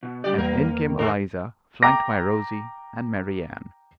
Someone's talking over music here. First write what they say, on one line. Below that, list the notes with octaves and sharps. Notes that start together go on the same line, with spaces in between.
And in came Eliza, flanked by Rosie and Mary Anne.
B2
C#3 G3 G4 D5
E2 A#3 B3 A#4
D#3
D3 G#3 D4 A#4
G5 A#5 D6 A#6